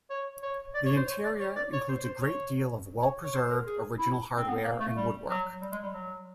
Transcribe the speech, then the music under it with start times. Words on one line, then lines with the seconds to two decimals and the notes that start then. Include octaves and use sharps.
The interior includes a great deal of well-preserved original hardware and woodwork.
0.10 C#5
0.42 C#5
0.74 D5
0.86 C#5
0.96 C5
1.07 C#5
1.23 D5
1.40 C#5
1.56 D5
1.72 C#5
1.89 C5
2.05 C5
2.21 C#5
3.02 C#5
3.23 C#5
3.34 C5
3.50 A#4
3.66 G#4
3.99 E4
4.36 C4
4.48 B3
4.64 A#3
4.80 A3
4.96 G3
5.29 F#3
5.61 G3
5.72 G#3
5.83 G3
5.93 F#3